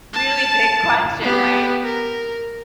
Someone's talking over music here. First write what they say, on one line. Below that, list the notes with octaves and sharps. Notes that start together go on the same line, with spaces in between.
Really big question. Right?
A5
B3 G4
A#4